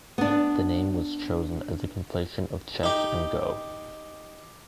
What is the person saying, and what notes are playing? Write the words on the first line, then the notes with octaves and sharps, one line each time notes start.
The name was chosen as a conflation of "chess" and "go".
B3 D4
D#4 G4